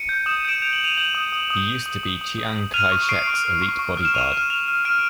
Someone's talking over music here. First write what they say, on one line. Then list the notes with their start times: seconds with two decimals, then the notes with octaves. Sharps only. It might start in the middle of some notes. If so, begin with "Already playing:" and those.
He used to be Chiang Kai-shek's elite bodyguard.
Already playing: C#7 D#7
0.09 G6
0.26 D#6 E7
0.37 D#7
0.45 G6 D7 E7
0.62 G6 F7
0.73 F#7
0.80 G6 D#7 F7
0.92 F7
0.97 G6 E7 F#7
1.15 D#6
1.32 D#6
1.50 D#6
1.68 D#6
1.86 D#6
2.03 D#6
2.21 D#6
2.38 D#6
2.56 D#6
2.74 F6 D#7 F7
2.92 C#6
3.09 C#6 C7 D7
3.27 C#6
3.44 F6
3.62 C#6
3.79 C#6
3.97 F6
4.05 E7
4.14 C#6 D#7 F7
4.33 F6
4.50 F6 D#7 F7
4.68 F6
4.85 F6 D7 E7